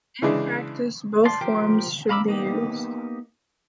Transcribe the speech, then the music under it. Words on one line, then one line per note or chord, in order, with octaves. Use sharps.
In practice, both forms should be used.
C#3 E3 G#3 D4
D5 A5 C6
F3 G4 A#4 G5 C6
F5 A#5 B5 D6 E6
A#3 B3 D#4 G4